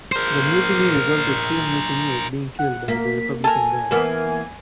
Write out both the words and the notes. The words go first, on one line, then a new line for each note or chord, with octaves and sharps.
The mutiny resulted two mutineers being killed by the Republican Guard.
A#4 C5
F#5
A#3 B6
A4 A#4 G#5
E3 A#3 B3